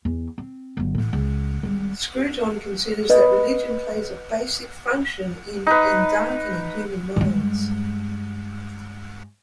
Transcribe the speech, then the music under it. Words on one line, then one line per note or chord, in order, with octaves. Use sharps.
Scruton considers that religion plays a basic function in "endarkening" human minds.
E2
C4
G1 F#3
A2 E3
C#2
G#1 G3
B4 D#5
D#4 B4
G2 G#3